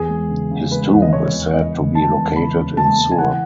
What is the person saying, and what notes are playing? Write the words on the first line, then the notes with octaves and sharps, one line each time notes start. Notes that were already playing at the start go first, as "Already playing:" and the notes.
His tomb is said to be located in Sur.
Already playing: E2 G#4
G#3
C#3
C#3
G#3 B4
E2
D#5
E2 C#5
E2
E2 D#5
E2
G#3 A5
E2
C#3 B5
C#3
G#3 A5
G#3
G#5
E3 F#5